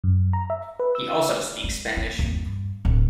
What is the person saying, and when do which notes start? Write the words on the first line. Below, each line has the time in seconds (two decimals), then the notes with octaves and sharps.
He also speaks Spanish.
0.04 F#2
0.33 A#5
0.50 E5
0.80 B4
0.95 E6
1.29 D5
1.64 G#3
1.97 A#3
2.19 D#2
2.32 G2
2.85 D1